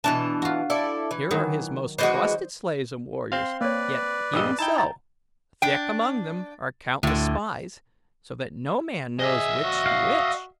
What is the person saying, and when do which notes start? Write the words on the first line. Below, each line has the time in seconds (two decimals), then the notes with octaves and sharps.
Here are his most trusted slaves and warriors, yet even so, thick among them are countless spies, so that no man knows which be which.
0.04 B2 E3 D4 A5
0.42 F4 F#4
0.70 E4 A4 D5
1.11 E3
1.31 D#3 F#3 D#4
1.98 E3 G#3 F#4 C5 D5 D#5
3.32 C4 F5 C6
3.61 A#3 B4 C#5 D5
4.33 A#1 G2 D#5 D#6 E6
4.59 D#4 E4 G5 A5
4.78 A#5 A6
5.62 D4 G5
7.03 D2 A2 D3
9.20 G#4 D#5 E5
9.64 F#4
9.86 F5